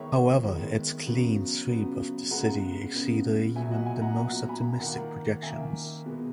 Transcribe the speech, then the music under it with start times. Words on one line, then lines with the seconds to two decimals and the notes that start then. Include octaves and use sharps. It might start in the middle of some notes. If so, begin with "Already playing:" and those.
However, its clean sweep of the city exceeded even the most optimistic projections.
Already playing: D#3 G#3 B3 C#5 E5
0.44 D#3 G#3 B3
1.06 C#3 F#3 B3
1.69 C#3 F#3 B3
2.31 C#3 G#3 B3 F#5 A#5
2.93 C#3 G#3 B3
3.55 A#2 F#3 B3 E5 G#5
3.71 D#5 F#5
3.86 E5 G#5
4.02 F#5 A#5
4.18 A#2 F#3 B3 F#5 A#5
4.43 A#5
4.49 G#5 B5
4.80 D#3 A#3 F#5 A#5
5.42 D#3 A#3 E5 G#5
6.05 B2 G#3 B3